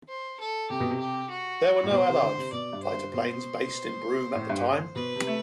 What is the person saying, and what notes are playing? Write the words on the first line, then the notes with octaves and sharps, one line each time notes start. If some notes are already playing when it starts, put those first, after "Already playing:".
There were no Allied fighter planes based in Broome at the time.
C5
A4
C3 G4
B2
C3
G4
F#4
A2
B2 C5
C3
D3
C3
B2 D5
G2
C5
G2
B2 C5
A2
G2
B2 B4
C3
A3